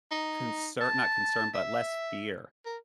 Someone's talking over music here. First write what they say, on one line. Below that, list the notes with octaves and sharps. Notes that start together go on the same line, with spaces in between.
concer not concern, but less fear
D#4
A5
E5
A#4